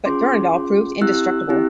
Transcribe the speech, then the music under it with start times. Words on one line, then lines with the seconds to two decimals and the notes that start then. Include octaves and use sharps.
But Durendal proved indestructible.
0.05 C#4 F4 G#4 C6 D6
0.54 C#4 F4 G#4
1.01 C4 E4 G4 E6 F#6
1.49 C4 E4 G4